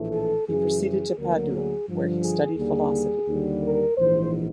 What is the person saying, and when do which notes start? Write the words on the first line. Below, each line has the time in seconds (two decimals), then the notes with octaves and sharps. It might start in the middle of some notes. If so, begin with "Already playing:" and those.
He proceeded to Padua, where he studied philosophy.
Already playing: A#1 A2 E3 A3
0.12 A4
0.47 F#2 C#3 E3 G#4
0.82 G#4
1.17 D2 D3 F#3 A#3 A#4
1.52 G#4
1.87 G2 D3 F3
2.22 G#4
2.56 D#2 D3 G3 A#3 G#4
3.28 D#2 D3 G3
3.62 A#4
3.97 A#1 G#2 E3 C5